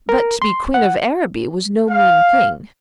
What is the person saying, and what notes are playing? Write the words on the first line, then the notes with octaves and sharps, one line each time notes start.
But to be Queen of Araby was no mean thing.
A#4
C6
F#5
F5